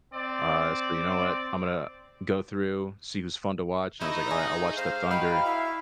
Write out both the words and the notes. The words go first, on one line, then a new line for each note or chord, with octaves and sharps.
Uh, so you know what? I'm gonna go through, see who's fun to watch." And I was like, "Alright, I'll watch the Thunder."
C4 D5
A3 D#4 E4 D#5
G#4
C5 F5
D#4 F#4 G5 B5
E4 E5